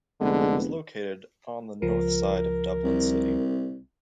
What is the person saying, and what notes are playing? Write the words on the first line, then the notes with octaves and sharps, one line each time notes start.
It was located on the north side of Dublin city.
F1 D3 G#3 B3 G#4 B4
C#2 F3 A#4
C2